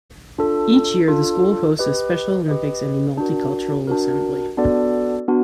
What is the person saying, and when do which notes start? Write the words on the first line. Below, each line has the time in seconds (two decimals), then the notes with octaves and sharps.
Each year, the school hosts a Special Olympics and a Multicultural Assembly.
0.38 D4 F4 A4
1.08 D4 F4 A4
1.79 G4 B4 D#5
2.48 G4 B4 D#5
3.17 D4 F#4 A#4
3.87 D4 F#4 A#4
4.57 B3 D4 F#4 A4 D5
5.28 B3 D4 F#4